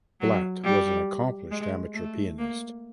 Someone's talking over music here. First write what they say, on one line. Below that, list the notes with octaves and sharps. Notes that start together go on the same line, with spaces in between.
Blatt was an accomplished amateur pianist.
F#3
G3
G#3
A3
A#3